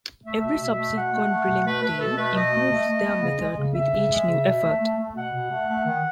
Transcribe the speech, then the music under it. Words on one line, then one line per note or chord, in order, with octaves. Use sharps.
Every subsequent drilling team improves their method with each new effort.
A3 E5
B2
B2
A3
B2 F#5
A3
A3
B2
A3 B4
A3 B4
B2 A4
A3 B4
B2 D#5
A3
A3
A3
B3
C#3
G#3
C#3
C#3 E5
C#3
G#3
C#3
B2
A3
A3
A3
B2 F#5
B2
A3
A3
D#3